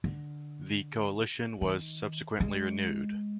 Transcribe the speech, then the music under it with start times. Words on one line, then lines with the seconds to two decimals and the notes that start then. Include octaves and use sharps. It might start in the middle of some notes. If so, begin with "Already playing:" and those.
The coalition was subsequently renewed.
0.04 D3
1.61 D#3
2.40 G#3